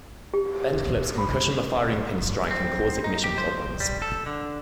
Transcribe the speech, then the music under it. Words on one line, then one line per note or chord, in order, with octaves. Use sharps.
Bent clips can cushion the firing pin strike and cause ignition problems.
G4
B5
C4
D#4
G4
C5
G3
A4
D3